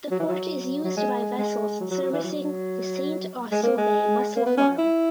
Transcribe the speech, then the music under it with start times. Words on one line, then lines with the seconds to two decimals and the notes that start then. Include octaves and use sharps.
The port is used by vessels servicing the St Austell Bay Mussel Farm.
0.11 F#3
0.19 E3
0.28 F#3
0.84 F#3
0.96 G#3
1.38 G#3
1.80 F#3
1.91 F#3
2.02 F#3
2.12 E3
2.24 F#3
3.51 G#3
3.63 A#3
3.77 G#3
4.36 A#3
4.46 B3
4.57 C#4
4.78 E4